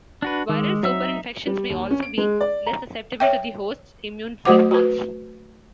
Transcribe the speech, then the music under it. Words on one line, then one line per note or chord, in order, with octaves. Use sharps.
Viral superinfections may also be less susceptible to the host's immune response.
D4 F#4 B4
D#3 G#3 D6 E6
F#3 C4 D#4 E5 E6
G3
D#2
C#4
D7
G#3
D5
A#5
C#5 E5 G5
F#3 A3 F#4 C5 F#5 D6
F#4 B4